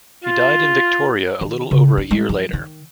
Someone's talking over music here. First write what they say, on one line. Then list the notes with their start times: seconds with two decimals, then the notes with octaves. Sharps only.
He died in Victoria a little over a year later.
0.24 F4
1.41 D#3
1.71 C#3
1.98 D#4
2.11 G#3
2.29 F3
2.53 D#3